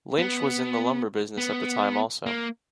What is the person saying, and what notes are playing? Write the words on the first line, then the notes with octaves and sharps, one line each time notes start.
Lynch was in the lumber business at the time also.
B3
B3
A#3